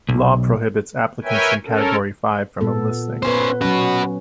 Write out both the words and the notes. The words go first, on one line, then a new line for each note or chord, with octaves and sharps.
Law prohibits applicants in Category Five from enlisting.
B1
A#4 B4 C#5 E5 G5 G#5
C#4 A4 A#4
A#2 B3 A4
B3 C#4 B4 C5
F#3 C#4 F#4 B4